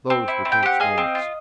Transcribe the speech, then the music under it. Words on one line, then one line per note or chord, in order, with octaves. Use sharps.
Those were tense moments.
C4
E4
C4
G5
G4 F#5
G#4 D#5 F5
C4
F4